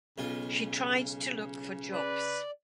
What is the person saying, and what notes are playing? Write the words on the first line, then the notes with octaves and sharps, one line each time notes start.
She tried to look for jobs.
B1 C#3 F4
B4 D5